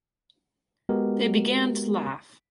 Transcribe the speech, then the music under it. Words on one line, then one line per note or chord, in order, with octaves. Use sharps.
They began to laugh.
G#3 B3 F#4 G4 A#4